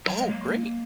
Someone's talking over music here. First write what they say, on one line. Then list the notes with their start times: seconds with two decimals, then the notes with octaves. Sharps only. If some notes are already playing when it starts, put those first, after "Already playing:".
Oh, great.
0.05 F#3
0.17 G#3
0.30 A#3